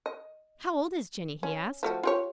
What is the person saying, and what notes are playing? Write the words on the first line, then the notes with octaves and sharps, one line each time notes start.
"How old is Jinny?" he asked.
D#5
C#4
F3 A3 F#4
F4 G4 C#5